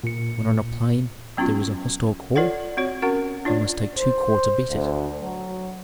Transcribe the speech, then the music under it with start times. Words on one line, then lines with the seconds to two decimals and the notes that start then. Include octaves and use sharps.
When on a plain there is a hostile corps, I must take two corps to beat it.
0.04 A#2 C#7
1.37 F#3 B3 C#4 F4 F#4
2.36 F4 A4 C#5 D5 F#5
2.77 C4 F#4 C#5
3.02 C#4 F#4 A#4 F#5
3.45 D4 F4 C#5 D5
3.95 C5
4.68 D2
5.21 F#3